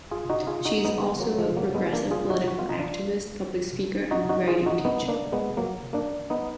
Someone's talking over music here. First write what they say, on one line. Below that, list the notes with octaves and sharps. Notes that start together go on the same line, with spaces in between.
She is also a progressive political activist, public speaker, and writing teacher.
F4 G#4
D#4 F#4
F4 G#4
D#4 F#4
B3 D#4
G#3 B3
F#3 A#3
F3 G#3
F#3 A#3
G#3 B3
A#3 D4
F4 G#4
D#4 F#4
F#4
F4
D#4
D4 F4
D#4 F#4
D#4 F#4
F4 G#4
D#4 F#4
B3 D#4
A#3 D4
G#3 B3
F#3 A#3
A#3 D4
B3 D#4